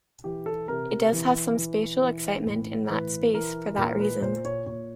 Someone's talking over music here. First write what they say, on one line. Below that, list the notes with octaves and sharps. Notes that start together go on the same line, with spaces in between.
It does have some spatial excitement in that space for that reason.
E3 G4
A4
C3 A#4
A#4
E3
E3
E3
A2
E3 B4
E3 A#4
A#2 A#4
B4
A#2 C5
C#5
A#2 C#5